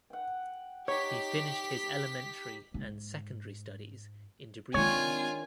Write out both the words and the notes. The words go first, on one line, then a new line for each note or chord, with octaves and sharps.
He finished his elementary and secondary studies in Debrecen.
F#5 G5
D#4 G4 C#5 G5 B6
G#2
D#3 G#3 C4 D4 F4 G#4 C#5 G#5